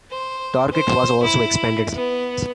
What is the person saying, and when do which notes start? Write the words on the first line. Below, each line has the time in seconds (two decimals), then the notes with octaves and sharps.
Target was also expanded in size.
0.11 C5
0.72 C5
1.23 E4
1.94 B3